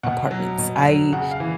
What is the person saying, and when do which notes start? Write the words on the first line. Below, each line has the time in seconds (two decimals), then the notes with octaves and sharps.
apartments. I
0.03 B2 F#5
0.31 F#3
0.58 B2
0.85 F#3
1.13 C#3 F#5
1.31 F5
1.40 E3